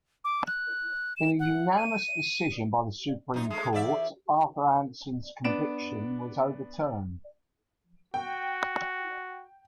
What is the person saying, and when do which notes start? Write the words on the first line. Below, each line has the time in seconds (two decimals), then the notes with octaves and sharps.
In a unanimous decision by the Supreme Court, Arthur Andersen's conviction was overturned.
0.24 D6
0.47 F#6
1.17 E7
1.39 F#5
1.77 D#7
3.34 F#2 D#4
3.50 G#3 A3
3.73 E2 D5 E5
5.44 B3 D4 D7 E7
8.14 F#4 G5